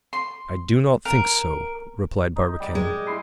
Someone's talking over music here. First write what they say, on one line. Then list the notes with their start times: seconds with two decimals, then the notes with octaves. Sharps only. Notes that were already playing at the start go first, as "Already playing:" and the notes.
"I do not think so," replied Barbicane.
0.13 C6
1.05 A#4
2.36 D#4
2.60 G3 D5 G5
2.75 G#3
3.07 E4 G5 C6